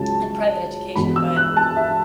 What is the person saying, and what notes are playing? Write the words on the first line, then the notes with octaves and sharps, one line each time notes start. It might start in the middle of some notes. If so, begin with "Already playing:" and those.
in private education, but
Already playing: C#2 C#3 F#3 A5
E1 E2 B2 B5
E6
F#6
A5
E5